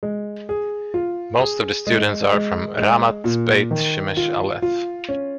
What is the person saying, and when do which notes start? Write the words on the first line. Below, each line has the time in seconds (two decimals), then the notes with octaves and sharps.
Most of the students are from Ramat Beit Shemesh Alef.
0.03 G#3
0.49 G#4
0.94 F4
1.40 G#4
1.87 G#3
2.32 G#3
2.78 G#3
3.24 A#2
3.71 D#3
4.17 F4
4.62 F4
5.09 C#4